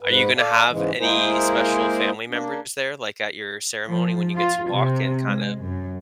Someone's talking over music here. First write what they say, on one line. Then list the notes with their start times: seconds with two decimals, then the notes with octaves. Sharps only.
are you gonna have any special family members there, like, at your ceremony when you get to walk and kind of
0.01 G#2 B4
0.37 A4 D5 F5
0.68 G#2 C#3 E3 G#3
0.99 G#3 A#3 E4 G#4 A#4 C5
2.30 A#3 D4
3.88 F3
4.36 F4
4.72 C3
5.23 G#3
5.64 F#2